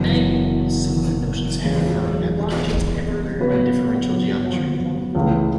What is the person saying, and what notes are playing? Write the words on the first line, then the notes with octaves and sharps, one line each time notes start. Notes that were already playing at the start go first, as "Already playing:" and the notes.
Similar notions have found applications everywhere in differential geometry.
Already playing: F#1 F#2 E3 B3
E2 C#3 G#3
C#3 F#3 B3 F#4 B4
C#2 C#3 E3 A3